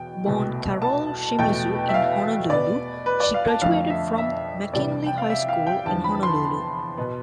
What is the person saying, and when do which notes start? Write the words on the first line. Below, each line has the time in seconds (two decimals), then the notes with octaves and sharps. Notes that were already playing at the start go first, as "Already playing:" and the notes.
Born Carole Shimizu in Honolulu, she graduated from McKinley High School in Honolulu.
Already playing: E2 B2 G5
0.26 C2 B2 A3
0.82 A5
1.39 E2 B2 A3 G5
1.89 E5
1.94 F5
2.50 B2 B3 D5
3.06 B4
3.20 D5
3.34 F5
3.48 A5
3.62 F2 D3 F3 A3 F5
3.90 E5
4.18 E5
4.74 C2 C3 E3 G3 D5
5.06 G5
5.18 F5
5.30 E5
5.48 F5
5.67 G5
5.85 E2 D3 F3 A5
6.04 B5
6.23 C6
6.98 B2 B3